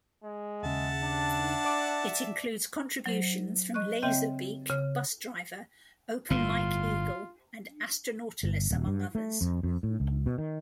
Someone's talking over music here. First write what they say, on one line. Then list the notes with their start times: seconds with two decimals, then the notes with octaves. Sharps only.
It includes contributions from Lazerbeak, Busdriver, Open Mike Eagle and Astronautalis, among others.
0.24 G#3
0.63 D#2 C#3 E5 F#5 A5
1.04 D4
1.65 D5 D6
3.06 F#3 C5
3.74 D#5 C#6 F#6
4.02 C#3 C4 D#5 E5 G5 G6
4.69 C#3
6.30 G1 A2 F4
8.43 G1
8.71 D#1
8.87 G2
9.15 A3
9.41 F2
9.63 F2
9.83 A2
10.00 C#2
10.26 B2
10.38 D#3